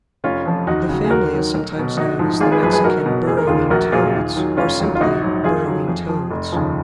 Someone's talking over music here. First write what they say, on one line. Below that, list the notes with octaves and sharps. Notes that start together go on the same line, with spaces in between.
The family is sometimes known as the Mexican burrowing toads or simply burrowing toads.
F1 C#4 F4
F2 F3
D#2 D#4 F#4
C#3 F#3
G#4
D#2 F#4 A#4
D#3 F#3
B1
B2 F#3
A#1 D#4 F#4
G#2 F3
G#1 F4 G#4
G#4 B4
F#2 F3 G#4 B4
G#4 B4
B1 F#4 A#4
B2 F#3
F1 G#4
A#4
D#2 D#3 F4 G#4
A#1 F#4 A#4
A#2 F#3 F4 G#4
D#2
D#3 F#3
F1 C#4 F4
D#2 D#3 F#3
F4
A#1 D#4 F#4
G#2 F#3
F2 F4 G#4
D#3 F#3
F2
F3
F1
D#2 C#3 F3